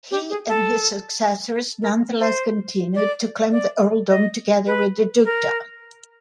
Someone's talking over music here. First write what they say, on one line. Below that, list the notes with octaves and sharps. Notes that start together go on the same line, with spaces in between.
He and his successors nonetheless continued to claim the Earldom together with the Dukedom.
G4
G#4
A4
A#4
C5
D5
D5
D#5
B4
A#4